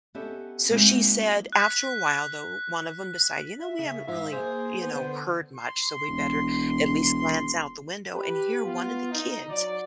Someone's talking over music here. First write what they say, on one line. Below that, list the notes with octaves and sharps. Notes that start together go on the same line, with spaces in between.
so, she said after a while though, one of ‘em decided, you know, we haven't really, you know, heard much, so, we better at least glance out the window, and here one of the kids
B3 C#4 G4 A4 D#5 E5
G#3 A#3 C4 D#4 E4 F#4
F#6 B6
E5
C#3
G#2 E5 F5
A#3 G#4 C5
B3 C5
D3
C6
E1
G4 B4
B3 F4
D#4
F#3 F#4 D5